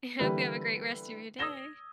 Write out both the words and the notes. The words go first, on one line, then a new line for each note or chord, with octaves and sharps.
I hope you have a great rest of your day.
D3 E3 G3 A#3 B4
D#6 E6 G#6 A#6 E7 G7